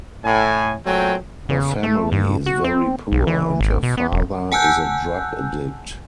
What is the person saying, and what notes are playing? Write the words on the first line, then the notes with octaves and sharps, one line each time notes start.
Her family is very poor, and her father is a drug addict.
A2 G#5
A#2 F#3 A3 C4 G5 G#5
C#3
A3
G2
F#4
C4
B1
E3
G#1
B2
B3
E1
F#5 G#5 A5 E6 F#6 G6